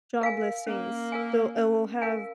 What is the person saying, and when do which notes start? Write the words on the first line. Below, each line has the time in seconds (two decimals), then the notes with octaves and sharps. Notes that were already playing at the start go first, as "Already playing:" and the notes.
job listings so it will have
0.21 A#4 F5 G#5
0.67 A#3 C#4
1.12 A#4 F5 G#5
1.57 C#4
2.02 A#4 F5 G#5